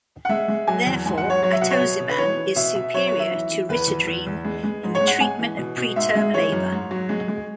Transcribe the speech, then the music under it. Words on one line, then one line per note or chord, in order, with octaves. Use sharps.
Therefore, atosiban is superior to ritodrine in the treatment of preterm labour.
F#5
G#3 E5
G#3
F#3 G#5
E2
G#2 G#5
F#5
F#3
C#5
F#3 C#5
E5
B2 F#5
C#5
B2
B2
B4
E3 C#5
E3
B2 E5
B2 E5
F#3 C#5
C#5
F#3
E5
E3
E3
E2 B4
E2
E2
E2
G#3
G#3
G#2
C#5
G#3
F#5
G#3 G#5
E3
B2
B2
G#2 E5
G#3
E3 C#5
F#2
G#2
F#3
G#3
G#3